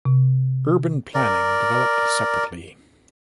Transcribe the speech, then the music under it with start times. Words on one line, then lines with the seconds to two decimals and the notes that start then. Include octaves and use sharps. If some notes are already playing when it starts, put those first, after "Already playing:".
Urban planning developed separately.
0.05 C3
1.14 A#4 D5